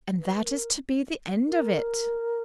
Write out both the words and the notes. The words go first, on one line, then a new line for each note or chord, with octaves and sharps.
"And that is to be the end of it."
B4
A#4
A#4